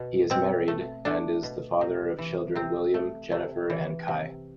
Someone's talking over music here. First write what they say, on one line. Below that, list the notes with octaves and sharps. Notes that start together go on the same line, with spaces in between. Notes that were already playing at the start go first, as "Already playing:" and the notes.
He is married, and is the father of children William, Jennifer, and Ky.
Already playing: B2
B2 C4
A3
A3 D4
B2
C3
E3
C3 C4
A3
C3 A3
E3
C3